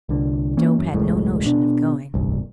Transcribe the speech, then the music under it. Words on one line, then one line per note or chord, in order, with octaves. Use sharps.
But Job had no notion of going.
C2 D3
E3 A#3 C#4
F#2
E1 C#2 A2 G#3
B2 D4
D1 G1 C2